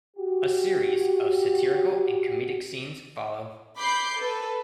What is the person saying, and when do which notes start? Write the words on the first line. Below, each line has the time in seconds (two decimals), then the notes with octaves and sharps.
A series of satirical and comedic scenes follow.
0.17 F#4 G4
3.77 B5 D6 G6 C7
4.19 A4 B4